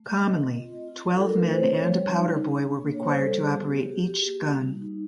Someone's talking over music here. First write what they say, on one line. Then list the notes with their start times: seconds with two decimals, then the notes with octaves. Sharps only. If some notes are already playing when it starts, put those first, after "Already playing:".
Commonly, twelve men and a powder-boy were required to operate each gun.
Already playing: A3
0.15 C4 D#5
0.40 F4
0.64 C4
0.88 F4
1.11 D4 A4
1.26 A#4
1.36 A3 B4
1.49 C5
1.59 C4 C#5
1.84 G3
2.08 D#4
2.31 D4
2.56 D4
2.80 A#3
2.94 C#5
3.03 G3 C5
3.21 A4
3.27 G3
3.39 G#4
3.52 B3 G4
3.76 F#4 G4
3.83 G#4
3.91 G4
3.99 F#4
4.24 A#3
4.48 G3
4.71 D#4